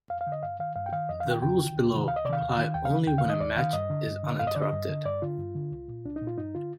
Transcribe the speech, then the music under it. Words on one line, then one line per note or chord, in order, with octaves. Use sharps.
The rules below apply only when a match is uninterrupted.
F2 F5
F5
D3
D#5
G2 F5
D#3 F5
G2 F5
G5
D#3 F5
F2 D#5
D#3 F5
G5
F2 G5
D#3
D2
C3 D#3
D2 F5
D#5
C3 D#3 D5 F5
D#2
D#3
D#2 G5
F5
D#3
D#2 G5
F5
D#3
D#5
D#2 D5
D#3 F5
G2 D#5
D3
G2
D3
G2 F5
D#5
D3 D5
D#5
G2
D3
G2 D5
D3 F4
G2
D3
C2
A#2
C2 D4
D#4
A#2
F4
G2 D#4
D3 F4